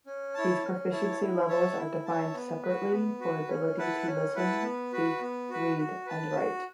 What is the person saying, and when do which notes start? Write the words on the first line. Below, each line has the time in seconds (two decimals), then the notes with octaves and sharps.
These proficiency levels are defined separately for ability to listen, speak, read and write.
0.06 C#4
0.35 E4 C#5 A5
0.64 C#4
0.91 E4 C#5 A5
1.20 E4
1.48 C#5 E5 A5
1.77 E4
2.06 C#5 E5 A5
2.34 B3
2.63 F#4 B4
2.91 B3
3.20 F#4 B4
3.49 C#4
3.78 E4 B4 F#5 A5
4.07 C#4
4.35 E4 B4 F#5 A5
4.64 B3
4.93 F#4 B4
5.21 B3
5.49 F#4 B4
5.78 F#4
6.06 B4 A5
6.35 F#4